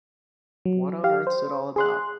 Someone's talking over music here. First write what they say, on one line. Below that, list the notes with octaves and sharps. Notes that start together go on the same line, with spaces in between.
What on earth's it all about?
F#3
G4 F5
C5
G#4 C6 F#6